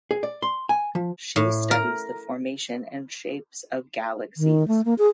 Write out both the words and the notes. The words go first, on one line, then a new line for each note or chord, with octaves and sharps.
She studies the formation and shapes of galaxies.
G#4
D5
C6
G#5
F3
A2
A#4
D#3
A3
A#3
G#4